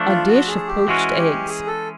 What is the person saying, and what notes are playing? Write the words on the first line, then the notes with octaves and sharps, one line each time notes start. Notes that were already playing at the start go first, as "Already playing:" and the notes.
A Dish of Poached Eggs.
Already playing: F3 A3 D4
F4
F#4
G#4
G4
E3 G#3 C#4 F#4
G4
G#4
A4